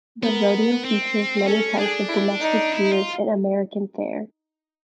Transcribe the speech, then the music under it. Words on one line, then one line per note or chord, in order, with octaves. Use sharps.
The rodeo features many types of domestic beers and American fare.
B3 A#4
C4
C#4 A4
D4 G#4
E4
D#4
E4
F4